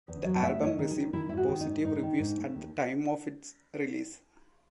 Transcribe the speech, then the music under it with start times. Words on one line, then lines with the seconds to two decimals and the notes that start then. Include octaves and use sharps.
The album received positive reviews at the time of its release.
0.08 E2
0.25 F#3
0.36 F#5
0.43 A3 E5
0.61 A3 C#5
0.66 D#5
0.78 D#3
0.90 G#4
0.96 D#3
1.13 D#3 E4
1.29 G#2 E4
1.37 F#4
1.48 D#3
1.60 D#4
1.66 G#2
1.85 G#2 D#4
2.02 D#3
2.19 G#2
2.37 A3
2.55 D#2